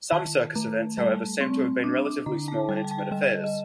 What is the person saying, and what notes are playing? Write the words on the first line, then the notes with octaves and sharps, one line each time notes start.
Some Circus events, however, seem to have been relatively small and intimate affairs.
D#3 A5
A3
G3 A5
C4 C6
D4 D6
D6
D3 A#5
A5
G3 G5
A5
G5
A5
G5
G3 D#5
D#5